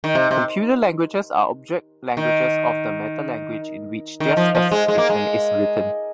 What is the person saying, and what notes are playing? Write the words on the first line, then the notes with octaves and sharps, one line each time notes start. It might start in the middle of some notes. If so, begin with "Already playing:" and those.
Computer languages are object languages of the metalanguage in which their specification is written.
D#3
C3
C3
D#3
D#3
F3
F3
G#3
G#3
A#3
G#3